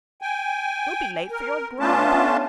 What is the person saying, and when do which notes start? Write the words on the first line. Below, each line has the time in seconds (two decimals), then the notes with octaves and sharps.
You'll be late for your grub!'
0.22 G5 G#5
1.31 A#4
1.80 A3 B3 C#4 D4 F4 A5